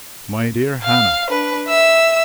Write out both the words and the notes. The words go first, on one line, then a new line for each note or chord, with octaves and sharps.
"My dear Hannah!"
F5
D4 B4
E5 E6